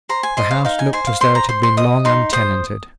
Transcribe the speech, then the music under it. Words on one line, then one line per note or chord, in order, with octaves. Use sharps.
The house looked as though it had been long untenanted.
C5 A#5
G#5
C5 D#5
F5
D#4 F5
G#5
C5 G#5
F5
C5 C6
A#5
C5 C6
C6
D#5 D#6
D#4 C6
C5 D#6